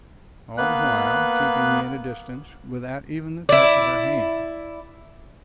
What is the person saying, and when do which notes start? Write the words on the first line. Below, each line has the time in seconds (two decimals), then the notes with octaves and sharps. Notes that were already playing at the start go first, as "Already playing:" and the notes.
All the while, keeping me at a distance, without even the touch of her hand.
0.58 A#3 B3 B4 F#6
3.49 E4 D5